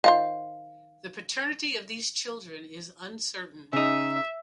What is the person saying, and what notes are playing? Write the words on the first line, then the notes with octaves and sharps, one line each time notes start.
The paternity of these children is uncertain.
D#3 F4 C5 F5
C#3 D#4 E5